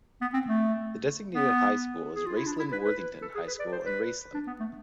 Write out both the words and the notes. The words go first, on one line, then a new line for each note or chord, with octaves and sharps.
The designated high school is Raceland-Worthington High School in Raceland.
B3
C4
A3
B3
G#4
F4
E4
D4
E4
B4
B4
A4
G#4
B4
D5
C5
B4
D4
B3
A3